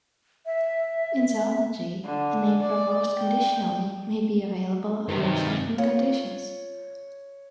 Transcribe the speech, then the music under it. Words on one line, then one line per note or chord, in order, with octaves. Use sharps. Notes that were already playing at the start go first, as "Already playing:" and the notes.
In zoology, a name proposed conditionally may be available under certain conditions.
E5
D3
D5
G5
G2 C3 D#3
F4 C#5